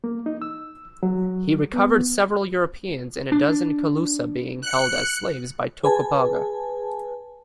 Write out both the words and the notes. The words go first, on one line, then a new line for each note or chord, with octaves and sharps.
He recovered several Europeans and a dozen Calusa being held as slaves by Tocobaga.
A#3
D#4
E6
F#3
B3
D4
F#6 C#7
G#4 B4 G#5 A5